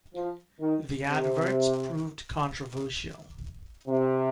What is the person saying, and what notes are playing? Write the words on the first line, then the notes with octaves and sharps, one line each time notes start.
The adverts proved controversial.
F3
D#3
C3
C3